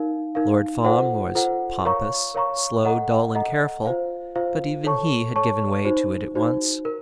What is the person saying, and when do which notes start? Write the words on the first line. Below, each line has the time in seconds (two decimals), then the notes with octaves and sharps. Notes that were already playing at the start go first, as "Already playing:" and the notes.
Lord Fawn was pompous, slow, dull, and careful; but even he had given way to it at once.
Already playing: D#4 A#4 F5
0.35 D#4 A#4 F5
0.84 F4 A4 C5 F#5
1.35 F4 A4 C5 F#5
1.85 A#4 C#5 F5 A#5 C#6
2.34 A#4 C#5 F5 A#5 C#6
2.85 A4 D#5 F#5 A#5
3.35 A4 D#5 F#5 A#5
3.85 F4 C5 F5
4.36 F4 C5 F5
4.84 A4 C#5 A5 C#6
5.36 A4 C#5 A5 C#6
5.85 D#4 F#4 C5
6.35 D#4 F#4 C5
6.85 A#4